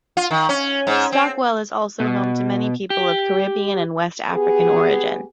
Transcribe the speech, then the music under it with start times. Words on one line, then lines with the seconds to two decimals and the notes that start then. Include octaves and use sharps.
Stockwell is also home to many people of Caribbean and West African origin.
0.17 F4
0.31 D#3
0.49 C#4
0.87 G#2
1.12 C4
2.00 B2
2.90 G4
4.31 B3 G4 G#4